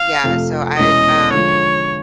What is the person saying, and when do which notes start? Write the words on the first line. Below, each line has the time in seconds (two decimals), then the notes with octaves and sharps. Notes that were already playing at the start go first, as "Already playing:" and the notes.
yeah, so I, um,
Already playing: F5
0.24 F2 C3 F3 A3
0.78 E2 B2 G#3 C#4 E4 D#5
1.33 D3 F3 G#3 C#5